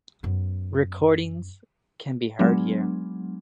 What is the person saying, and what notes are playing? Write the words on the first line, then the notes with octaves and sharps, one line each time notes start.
Recordings can be heard here.
F#2 B3
F#3 G#3 B3 D4